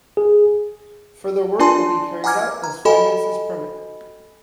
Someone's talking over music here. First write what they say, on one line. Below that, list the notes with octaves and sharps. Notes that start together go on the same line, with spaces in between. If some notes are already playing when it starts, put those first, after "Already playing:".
Further work will be carried out as finances permit.
G#4
D4 F4 D5 G#5 A5 C6
F#5 G#5 A#5 D6 F6 G#6
A#5
F#4 A4 D#5 G5 G#5 B5